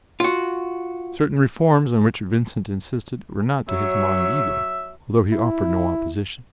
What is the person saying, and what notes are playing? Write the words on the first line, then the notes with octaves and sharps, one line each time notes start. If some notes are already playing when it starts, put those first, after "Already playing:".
Certain reforms on which Vincent insisted were not to his mind either, although he offered no opposition.
F4 F#4
F#3 C#5 E5
E4